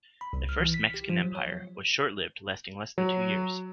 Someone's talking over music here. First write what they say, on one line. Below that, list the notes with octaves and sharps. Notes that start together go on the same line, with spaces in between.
The First Mexican Empire was short-lived, lasting less than two years.
B5
C2
F6
E3
B6
G4
F3
F#3
C#5
F#3